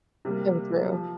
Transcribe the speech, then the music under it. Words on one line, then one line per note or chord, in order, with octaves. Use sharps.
So true.
C3 G3 A#3
F3